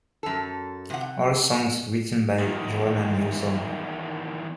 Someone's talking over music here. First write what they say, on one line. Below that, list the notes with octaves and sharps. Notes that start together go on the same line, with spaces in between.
All songs written by Joanna Newsom.
F#2 A4
C3 F#5
E2 D#3